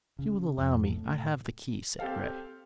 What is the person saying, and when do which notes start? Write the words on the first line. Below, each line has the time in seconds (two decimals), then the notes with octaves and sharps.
"If you will allow me, I have the key," said Grey.
0.19 C#3
0.58 F2
0.92 A2
1.99 C4 G4 A4 F5